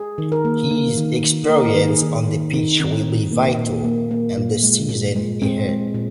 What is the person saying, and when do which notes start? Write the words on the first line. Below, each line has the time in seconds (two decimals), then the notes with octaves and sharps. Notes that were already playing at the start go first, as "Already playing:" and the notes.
His experience on the pitch will be vital in the season ahead.
Already playing: G#4
0.18 D#3
0.32 A#4
0.45 A#3
0.71 A#3
0.98 D#3
1.23 D#3
1.49 A#3 A#4
1.75 D#3
1.88 G#4
2.02 D#3
2.28 D#3
2.54 D#3 D#4
2.80 D#3 C4
3.07 A#2
3.32 A#3
3.58 A#2
3.84 A#3
4.11 A#3
4.37 A#2
4.63 G#3
4.89 A#2
5.16 G#3
5.42 G#3 C4
5.69 G#3
5.94 A#2